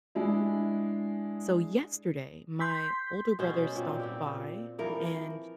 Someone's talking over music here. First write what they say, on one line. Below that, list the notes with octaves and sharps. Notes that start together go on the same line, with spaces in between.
so yesterday, my older brother stopped by and,
G#3 D4 E4
C6 G6 B6
B2 C#4 C5
A#2 C4 F4
A#2 C4 G4
E3 F3 A#4